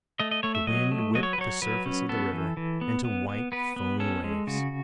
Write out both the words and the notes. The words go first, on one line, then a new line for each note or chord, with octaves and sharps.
The wind whipped the surface of the river into white foamy waves.
A3 D#5
D#5
A3 C#5
E5
F#3 D#5
A3
F#3 D#5
C#5
B4
F#3 C#5
F#3 B4
C#4
B3 A4
E3
E3
B3
B3
B3
B3 B4
B3
C#4 A4
G#3
C#3 F#4